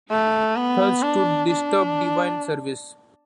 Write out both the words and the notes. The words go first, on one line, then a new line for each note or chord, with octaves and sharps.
Thus to disturb divine Service!
A3
B3
D4
D4